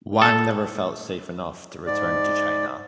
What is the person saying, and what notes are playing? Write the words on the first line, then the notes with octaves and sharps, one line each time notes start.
Wang never felt safe enough to return to China.
A4
G#2 D5